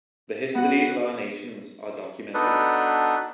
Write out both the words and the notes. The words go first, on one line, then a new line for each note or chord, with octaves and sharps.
The histories of our nations are documented.
B3 F#4 F#5
B3 D4 D#4 F#4 A4 B4